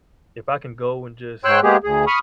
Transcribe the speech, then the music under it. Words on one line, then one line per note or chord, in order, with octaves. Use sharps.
if I can go and just
G#2 C#5 G5 C6 E6 F#6
G#3 A#3 B3 G4 G#4
D2 G#4
B5 C#6 D#6 F6